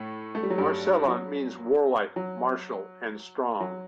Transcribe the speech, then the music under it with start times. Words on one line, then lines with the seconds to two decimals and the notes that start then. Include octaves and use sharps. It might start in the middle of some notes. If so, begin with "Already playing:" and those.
Marcella means warlike, martial, and strong.
Already playing: A2 A3
0.35 A3
0.43 G3
0.50 F#3
0.58 G2 G3
1.08 F#3
2.16 F#3
3.60 F#3